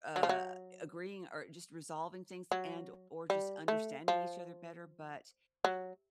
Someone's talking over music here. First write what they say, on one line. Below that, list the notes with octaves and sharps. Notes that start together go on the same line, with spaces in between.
uh, agreeing or just resolving things and or just understanding each other better, but,
F#3
F3
F#3
F#3
G3
A3
F3
F#3